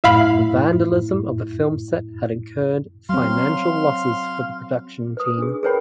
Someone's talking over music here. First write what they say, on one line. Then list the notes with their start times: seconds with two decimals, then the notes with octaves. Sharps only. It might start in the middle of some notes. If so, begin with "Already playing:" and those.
The vandalism of the film set had incurred financial losses for the production team.
0.04 F#2 A2 E4 E5 F5 B5
3.09 F#3 C4 F5 C6
5.17 B4 D#6
5.38 D4 G#4
5.63 G#4 A#4 B4 C#5 G5 B5